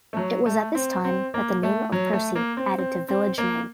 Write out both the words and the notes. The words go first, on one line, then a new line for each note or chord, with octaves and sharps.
It was at this time that the name of Percy added to village name.
A3
F#3
A3
C4
C4
A#3
A3
F#3
A3
A#3
C4
C4
C4
A#3